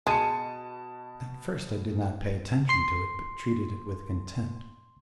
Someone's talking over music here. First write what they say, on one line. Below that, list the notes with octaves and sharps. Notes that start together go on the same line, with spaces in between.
At first I did not pay attention to it, but treated it with contempt.
B2 G#3 A5 C#7 D#7
C6 C7